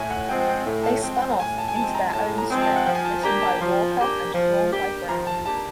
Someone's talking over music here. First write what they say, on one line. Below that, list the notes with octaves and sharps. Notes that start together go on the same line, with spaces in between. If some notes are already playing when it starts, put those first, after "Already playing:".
They spun off into their own strip, written by Walker and drawn by Browne.
Already playing: A2 G#5
F#5
F3 G#3 C4 G5
G5
A2
A5
F3 G#3 C4 G5
G5
A2 G#5
A5
G#5
F3 G#3 C4 A5
A#5
A2 A5
A#5
F3 G#3 C4
A5
F#5
F3 G5
G#5
A5
A#3 D4 G4 A#5
A5
F3
A#3 D4 G4
F3
A#3 D4 G4
F3 A#5
A5
A#3 D4 G4 A5